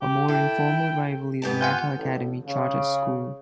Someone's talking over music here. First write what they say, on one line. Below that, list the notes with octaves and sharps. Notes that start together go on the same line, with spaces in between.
A more informal rival is Mater Academy Charter School.
G4
E4 A4 G5
G#2 B3 G4 A5
F4 F#5 G#5 G6
A1
C#3